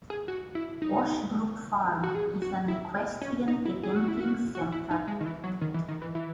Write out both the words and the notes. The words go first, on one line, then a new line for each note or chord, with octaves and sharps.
Washbrook Farm, is an equestrian eventing centre.
G#4
F#4
E4
D#4
F#4
G#4
F#4
E4
C#4
D#4
E4
G#4
F#4
E4
F#4
F#4
E4
D#4
G#3
D#3
E3
F#3
D#3
E3
D#3
E3
E3